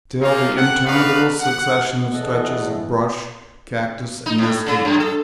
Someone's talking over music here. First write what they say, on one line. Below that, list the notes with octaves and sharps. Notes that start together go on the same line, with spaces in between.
Still the interminable succession of stretches of brush, cactus, and mesquite.
A3 A#3 D#4 F4 F5
G4 A4 F#5
D#4 F#4 B4 D5 F5
F#5
E2 A4 D#5 F#6
D#4
A2
C#3
F#2
A4